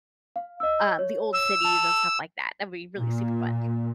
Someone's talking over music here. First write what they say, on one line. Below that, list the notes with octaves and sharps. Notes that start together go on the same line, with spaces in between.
um, the old cities and stuff like that. That'd be really super fun.
F5
D#5 E6
C#5
E6
A5 F7
A#2